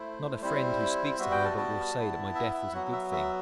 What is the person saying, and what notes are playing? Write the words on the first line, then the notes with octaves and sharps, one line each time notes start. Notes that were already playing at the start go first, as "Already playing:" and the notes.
Not a friend who speaks to her but will say that my death was a good thing.
Already playing: A3 E4 C5
G3 C4 E4 C5
G3 B3 F#4 E5
G5
A5
A5
B3 E4
E5
E5
F#3 B3 F#4 F#5
E5
E5